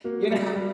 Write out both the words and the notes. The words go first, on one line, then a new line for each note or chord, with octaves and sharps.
you know?
A#3 F#4
G3
G3